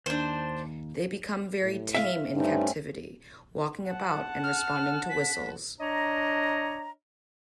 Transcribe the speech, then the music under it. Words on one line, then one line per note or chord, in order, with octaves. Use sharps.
They become very tame in captivity, walking about and responding to whistles.
D#2 D4 C5
A2
E5 F5
G2 A3 C4 C#4 D#4
F#5 A5
F6
B6
D4 C#5 D#5 A#5